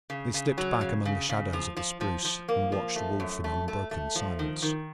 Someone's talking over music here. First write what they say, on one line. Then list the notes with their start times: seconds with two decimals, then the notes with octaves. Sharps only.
They slipped back among the shadows of the spruce and watched Wolf in unbroken silence.
0.10 C#3
0.34 C#3
0.58 F#3
0.81 C#3
1.05 C#3
1.29 C#3
1.53 F3
1.77 F3
2.01 F3
2.25 F3
2.49 A#3
2.72 F3
2.96 A3
3.20 F#2
3.44 A3
3.68 A3
3.91 A3
4.15 F3
4.39 D#3
4.62 D#3